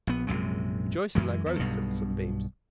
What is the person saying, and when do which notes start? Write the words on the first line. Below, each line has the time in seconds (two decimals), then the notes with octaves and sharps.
"Rejoice in thy growth!" said the Sunbeams.
0.07 A#1 B3
0.27 A#1 F#2 C3 G#3
1.15 F#2 E3 G#3
1.46 E2
1.59 B1 G2 B2